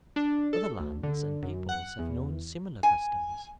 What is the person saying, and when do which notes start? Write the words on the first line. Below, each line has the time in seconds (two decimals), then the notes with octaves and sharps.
Other lands and peoples have known similar customs.
0.16 D4
0.53 A4
0.79 D2
1.03 D3
1.42 F#2
1.69 F#5
1.99 E2
2.83 G#5